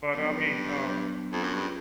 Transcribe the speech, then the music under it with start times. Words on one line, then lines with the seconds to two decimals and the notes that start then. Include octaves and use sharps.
but, I mean, um
0.13 G2 F#3 B3 D4
0.84 F#3 B3 D4
1.32 F2
1.44 F#2
1.54 G2 C#4 F4 G#4